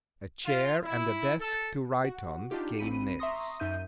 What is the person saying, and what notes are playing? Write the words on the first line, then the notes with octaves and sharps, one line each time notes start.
A chair, and a desk to write on, came next.
F4
E4
A4
F#4 F#5
D4 D#4 F4 G4
A1 C4 B5 D#7
E5 A#5 C6 C#6 D#6 A#6
F#2 D#4 E5 G6 D#7